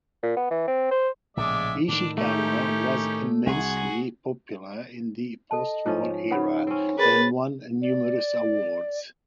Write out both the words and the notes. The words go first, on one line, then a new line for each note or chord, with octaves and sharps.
Ishikawa was immensely popular in the post-war era, and won numerous awards.
A#2
B3
E3
C4
C5
A#1 A2 C#3 G#3 D5 E5
A2 D#3 D4
A3 C#4 D#4 G4
C2 F#4 G#4 G#5
A4 D#5 A5
G#2 F3 C#4 F4
C#3 D#4 B4 F#5 B5
C4 C#4
G#4 A#4 B4 A6
D5